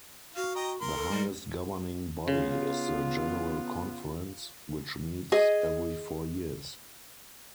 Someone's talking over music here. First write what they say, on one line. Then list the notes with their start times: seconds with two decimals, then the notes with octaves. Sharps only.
The highest governing body is the General Conference, which meets every four years.
0.36 F#4 F5
0.56 D#5 G5 A#5
0.81 A#4 C6
0.95 A4
1.12 G3
2.28 C#3 B3 F4
5.32 G#4 D#5